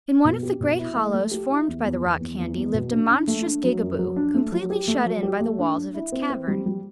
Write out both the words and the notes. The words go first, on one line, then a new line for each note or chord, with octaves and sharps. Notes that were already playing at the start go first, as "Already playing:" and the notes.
In one of the great hollows formed by the rock candy lived a monstrous Gigaboo, completely shut in by the walls of its cavern.
B2
G4
B2
E4
A3
A3
G4
E4
E2
E2
E2
E2
E2
E2
B2
D4
D4
A3
D4
F#3
F#2
F#3
D4
A3
F#3
G4
A3
F#3
G4
A3
D4
D4
E4
C4
C4
G3
G3